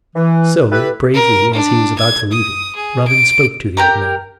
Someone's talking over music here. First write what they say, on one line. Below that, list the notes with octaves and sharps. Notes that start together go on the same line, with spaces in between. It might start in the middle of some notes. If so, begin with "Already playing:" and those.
So bravely, as he was about to leave him, Robin spoke to the old man.
E3
E4 G4 A4 B4
A#4
D4
G#6
D#6
G#4
D7
G4 A#4 A#5